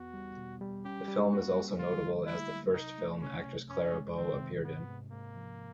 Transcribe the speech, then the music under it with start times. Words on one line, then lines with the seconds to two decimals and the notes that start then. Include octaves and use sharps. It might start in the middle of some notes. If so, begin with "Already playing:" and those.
The film is also notable as the first film actress Clara Bow appeared in.
Already playing: E2 B3 F#4
0.13 G3
0.37 B2
0.61 G3
0.85 C#4 G4
1.08 G3
1.32 A#3 F#4
1.56 G3
1.79 D3 F4
2.03 D3
2.27 A3 E4
2.51 F#3
2.74 C3 D#4
2.98 A3
3.22 C2 C#4
3.45 C3
3.69 F2 C#4
3.93 G#3
4.17 D#3 C4
4.41 C3
4.64 G#2 B3
4.88 G#2
5.12 G#2 A#3
5.36 F3